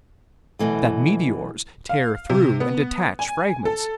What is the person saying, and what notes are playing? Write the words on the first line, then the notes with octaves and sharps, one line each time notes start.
That meteors tear through and detach fragments?
F#2 B2 E3 A3
F5
C3
B3
G#5
A4